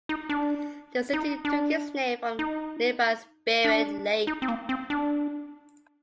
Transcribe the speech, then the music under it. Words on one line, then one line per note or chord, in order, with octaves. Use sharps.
The city took its name from nearby Spirit Lake.
D#4
D4
D#4
D4
D#4
D4
D#4
C4
A#3
C4
D4